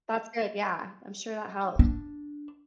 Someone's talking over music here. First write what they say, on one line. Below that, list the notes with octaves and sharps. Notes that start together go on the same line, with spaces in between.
that's good, yeah, I'm sure that helps.
D4